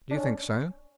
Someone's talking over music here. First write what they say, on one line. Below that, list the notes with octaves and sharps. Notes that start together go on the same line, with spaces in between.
"Do you think so?"
D4
C#4